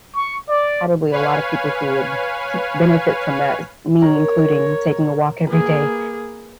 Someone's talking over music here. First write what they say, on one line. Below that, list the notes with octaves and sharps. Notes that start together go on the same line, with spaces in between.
probably a lotta people who would m benefit from that, me including taking a walk every day,
C#6
D5
B4 C#5 F5 G#5
A#4 C#5
A#3 G#4 B4